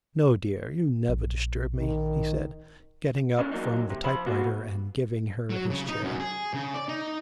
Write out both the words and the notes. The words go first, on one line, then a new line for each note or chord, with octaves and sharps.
'No, dear: you never disturb me,' he said, getting up from the type- writer and giving her his chair.
A#1
D#3
A#2 C#4 D4
E2 F#3 A#3 D4 D#4
C3
F3 C5 B5
A#3 B3 F#4
F#3
C#3
D#4
F#2
G#4
C#3
D5
D#4